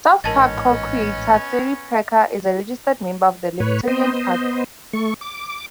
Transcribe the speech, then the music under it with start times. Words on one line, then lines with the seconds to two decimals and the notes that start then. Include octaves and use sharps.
"South Park" co-creator Trey Parker is a registered member of the Libertarian Party.
0.24 A1 G#2 B3 C#4 A#4 D#5 A5 A6
3.60 A2 B4 C#5
3.88 B3 C5 D#5
4.93 A3 C#6
5.21 D6